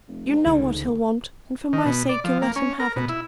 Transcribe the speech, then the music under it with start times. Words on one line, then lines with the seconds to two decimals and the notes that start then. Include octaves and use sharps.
You know what he'll want, and for my sake you'll let him have it.
0.08 F1
0.29 G#2
0.46 C#2 D3 D#3
1.73 D#3
1.86 B2
2.09 D5
2.24 F3
2.42 A#3
2.56 C#4
2.80 A#4
2.96 B2
3.09 E4